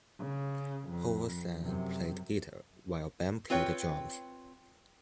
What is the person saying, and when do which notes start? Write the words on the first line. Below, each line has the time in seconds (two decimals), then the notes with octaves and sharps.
Howard sang and played guitar while Ben played the drums.
0.19 C#3
0.89 F2
1.62 F#2 C3
3.50 C4 F4 B4 C#5 G5